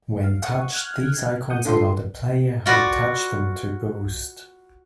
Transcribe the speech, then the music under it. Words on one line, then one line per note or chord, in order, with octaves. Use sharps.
When touched these icons allow the player who touched them to boost.
F5
F5 F#5 C#6 D#6
F6 F#6 G#6
F#5 D#6 G6
A2 D3 D4 F4 A4 C6
F4 F#4 B4 D5